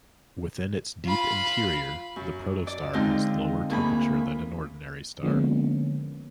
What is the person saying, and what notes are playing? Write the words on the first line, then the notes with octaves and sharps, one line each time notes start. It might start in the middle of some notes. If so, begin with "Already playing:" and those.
Within its deep interior, the protostar has lower temperature than an ordinary star.
F4 B5
F#2
D5
D3 G#3 C4 D#4 F4
D2 A#3 G#4 B5
D3 F3 G#3 A#3 B3 C#4